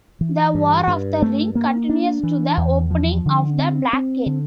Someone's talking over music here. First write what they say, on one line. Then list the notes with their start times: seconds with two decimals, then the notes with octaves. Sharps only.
"The War of the Ring" continues to the opening of the Black Gate.
0.21 E3
0.55 G2
0.87 G2
1.22 A3
1.55 A#3
1.89 D4
2.23 E3
2.57 E2
2.91 F3
3.26 D3
3.58 C4
3.93 C4
4.26 D3